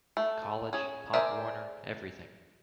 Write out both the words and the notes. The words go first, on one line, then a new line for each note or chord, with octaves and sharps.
College, Pop Warner, everything.
A3
C#4 G#4
G#4 A#4 C5 D5 E5